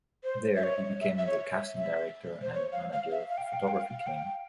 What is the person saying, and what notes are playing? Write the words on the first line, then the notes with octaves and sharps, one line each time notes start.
There he became the casting director and the manager of the photography team.
C5
E5
C#5
E5
E5
C#5
E5
E5
C5
C#5
F5
F5
E5
F5
G5
F5
G5
F5
G5
F5
F5
G5